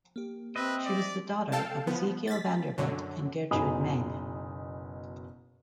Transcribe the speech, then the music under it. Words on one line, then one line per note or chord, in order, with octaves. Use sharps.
She was the daughter of Ezekiel Vanderbilt and Gertrude Meng.
A#3 G4
C4 B4 D#5 E5
D5
A4 F5 G5 A5
F3 B3
A6 B6
F#2 D3 F#3
F#1 B2 D#4 G#5 B5 D#6